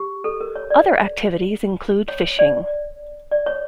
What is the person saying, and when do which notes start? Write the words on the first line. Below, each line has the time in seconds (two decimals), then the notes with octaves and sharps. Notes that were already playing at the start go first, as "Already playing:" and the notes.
Other activities include fishing.
Already playing: G4
0.24 A4
0.41 A#4
0.56 C#5
0.70 D5
2.08 C#5
2.39 D5
3.31 D5
3.46 C#5